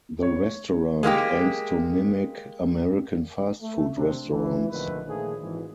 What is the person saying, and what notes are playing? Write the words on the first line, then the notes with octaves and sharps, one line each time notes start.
The restaurant aims to mimic American fast food restaurants.
C#5
G#3 A#3 E4 G4
A3
C3 C4 D4
G#1 E3
A#1 D3 D#3 F3 A3 B4
A#2 D#3 F3 A3 G#4
G#1 E3